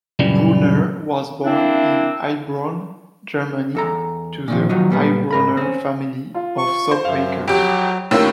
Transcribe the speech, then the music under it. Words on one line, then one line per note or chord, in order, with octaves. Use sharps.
Bronner was born in Heilbronn, Germany, to the Heilbronner family of soap makers.
F#2 A#2 C#3 E3 G3
A#3 C4 D4 E4
E2 A4 A#5
A#2 D#3 F3
D#3 F3 F#3 D#4
A#2 G3 B3
G#2 A#4 B5
C4 C#4
F4
C#6
C5
F#2 E5 F5
F2 F#3 G4 D7
D#2 A2 D#3 C#4 F4 E6